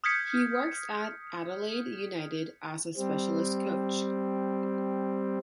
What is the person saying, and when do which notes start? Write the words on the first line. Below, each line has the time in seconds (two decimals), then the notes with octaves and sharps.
He works at Adelaide United, as the Specialist Coach.
0.04 D#6 F6 G6 G#6 B6 C#7
2.97 G3 C4